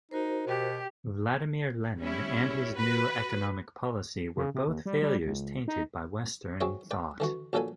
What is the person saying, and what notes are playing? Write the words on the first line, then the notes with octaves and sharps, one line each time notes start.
Vladimir Lenin and his New Economic Policy were both failures tainted by Western thought.
D#4 F#4 A#4 C5
B2 G4
G3 C#4 E4
F#4 B4
C#3
C3
D#2
G3
G3
C#2
D#4
F#3 C4 G#4 B4 C#5 E5
B4 D5 G5
D3 E3 F#4
A#1 A#2 F#3 A4 B4 G#5